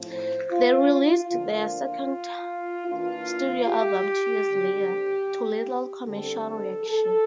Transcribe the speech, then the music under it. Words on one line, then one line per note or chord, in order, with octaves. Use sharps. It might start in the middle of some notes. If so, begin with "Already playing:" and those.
They released their second studio album two years later, to little commercial reaction.
Already playing: A2 F3 C4
C5
F4
F4
D3 F3 A#3 D4 F4
E3 A#3 D4 F4
G4
D3 G3 C4
D3 G3 C4 A4
A4